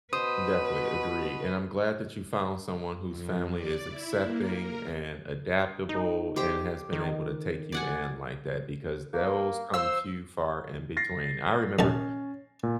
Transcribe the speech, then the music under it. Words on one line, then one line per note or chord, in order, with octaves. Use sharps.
Definitely, agree, and I'm glad that you found someone whose family is accepting, and adaptable, and has been able to take you in like that because those come few far in between. I remember
B2 B4 C5 D#6
F2
D5
E4
A#3
A#4
D#4
G4 C5 G5
D#3
D5 F#5 G#5
A#3
C5 F5 E6
A6 A#6 C7
A#1 D#2 C#4 A5
A#2